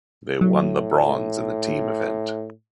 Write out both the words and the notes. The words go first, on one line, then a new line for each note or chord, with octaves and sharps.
They won the bronze in the team event.
A2 F#3